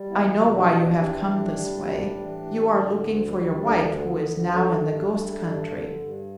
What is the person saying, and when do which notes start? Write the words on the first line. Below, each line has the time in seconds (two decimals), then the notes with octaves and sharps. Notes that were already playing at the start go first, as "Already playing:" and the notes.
I know why you have come this way. You are looking for your wife who is now in the ghost country.
Already playing: G3
0.10 E2 B3 E4
0.40 B2
0.54 D4 G4
0.70 E2
0.98 E3 D4 G4
1.28 A2
1.58 G3
1.87 A2
2.17 E3
2.46 A2
2.75 D3
3.04 D2
3.34 G3
3.63 D2 A3 D4
3.93 D3
4.07 B3
4.22 D2
4.51 D3 A3 D4
4.81 G2
5.10 G3
5.39 G2
5.69 D3
5.98 G2